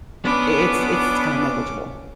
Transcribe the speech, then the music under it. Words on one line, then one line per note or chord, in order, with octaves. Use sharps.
i it's it's kinda negligible.
B3 C#4 D4 B4 D6